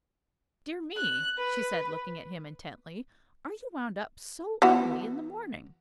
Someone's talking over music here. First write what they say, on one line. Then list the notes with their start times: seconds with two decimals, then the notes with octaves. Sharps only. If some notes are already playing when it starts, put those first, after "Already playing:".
"Dear me!" she said, looking at him intently; "are you wound up so early in the morning?"
0.96 F#6
1.37 B4
4.62 E3 B3 F#4